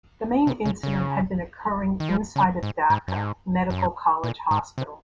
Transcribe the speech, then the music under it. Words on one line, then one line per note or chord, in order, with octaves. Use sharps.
The main incident had been occurring inside of Dhaka medical college hospital.
C3
C#3
C#3
D#3
F3
C#3
G#2
G#2
F#2
G#2
F#2
A#2
G#2
C3